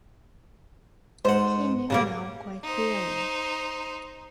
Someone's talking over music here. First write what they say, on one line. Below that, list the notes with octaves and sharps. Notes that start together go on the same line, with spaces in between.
He knew now quite clearly.
G#2 C5 F#5
A#2 C#3 G3 A#3
D#4 C5